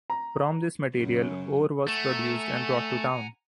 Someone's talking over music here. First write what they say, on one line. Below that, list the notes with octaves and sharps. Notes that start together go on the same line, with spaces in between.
From this material, ore was produced and brought to town.
A#5
F#2 C#3
A3 F#5 G#5 A#5